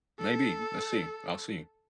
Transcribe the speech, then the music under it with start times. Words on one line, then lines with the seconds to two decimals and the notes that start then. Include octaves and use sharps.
Maybe, let's see, I'll see,
0.20 A4